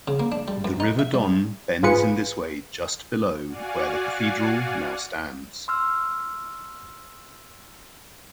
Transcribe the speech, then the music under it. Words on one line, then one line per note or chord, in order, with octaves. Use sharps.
The River Don bends in this way just below where the Cathedral now stands.
C#3
A#3
D4
G3
F#2
D#4
E5
G3
A1 G#2 F4 G#4 B4 C#7
F#4 D5 F5 F#5 G#5
C6 E6 F6